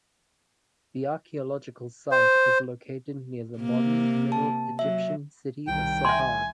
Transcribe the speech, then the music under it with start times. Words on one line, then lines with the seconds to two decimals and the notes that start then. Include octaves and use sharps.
The archaeological site is located near the modern Middle Egyptian city of Sohag.
2.12 C5
3.59 C3 A#3
4.32 A5
4.79 F#3 E5
5.67 C2 D#3 G5
6.05 E5 G#5 C6